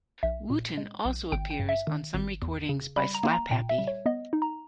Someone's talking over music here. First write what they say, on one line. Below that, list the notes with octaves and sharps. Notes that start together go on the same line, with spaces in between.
Wootton also appears on some recordings by Slapp Happy.
B1 E5
A#2
G#3
B1
G#1 G5
G5
G2
E5
D#3
G#1
E2
C#3
G3 B5
A#5
A#3
A#5
A#2 G5
E5
G3
C#5
B3 D#5
D#4
A#5